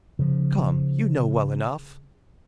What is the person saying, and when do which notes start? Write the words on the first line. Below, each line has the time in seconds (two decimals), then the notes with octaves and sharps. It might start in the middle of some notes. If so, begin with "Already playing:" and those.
"Come, you know well enough."
0.19 C#3 F3